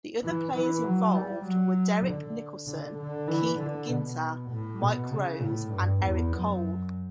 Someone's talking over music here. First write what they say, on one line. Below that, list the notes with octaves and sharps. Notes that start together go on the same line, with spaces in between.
The other players involved were, Derrek Nicholson, Keith Ginter, Mike Rose, and Eric Cole.
E3
E3
F#3
G3
F#3
D3
D3
D3
E3
D3
B2
A2
B2
C#3
A2
G2
E2
F#2